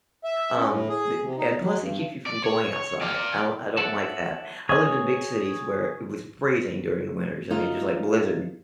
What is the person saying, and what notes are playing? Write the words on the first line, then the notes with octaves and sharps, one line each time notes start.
um, th and and plus it keeps you from going outside, I'll I don't like that. I lived in big cities where it was freezing during the winters, I mean, just like blizzard,
E5
C#4
A2
G#4
C3
D#4
F#3
G2
D5
C#5
D5 F5
C#5 D5 E5 F#5 A5
G#4 C#5
A3 D#4 F4